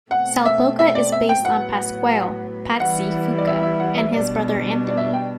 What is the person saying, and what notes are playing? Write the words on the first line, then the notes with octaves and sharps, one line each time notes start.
Sal Boca is based on Pasquale "Patsy" Fuca, and his brother Anthony.
B2 A3 C4 F#5
E5
E5
D5
E5
G5
A2 F#3 B3 F#5
E3 G3 B3 E4 F#5
D5
E5
E5
F#5
E5
B2 G3 D4 D5
D5
E5
G5